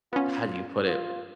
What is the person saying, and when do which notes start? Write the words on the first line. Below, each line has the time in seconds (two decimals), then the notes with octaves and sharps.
how do you put it?
0.13 B3 C#4 F4
0.87 F4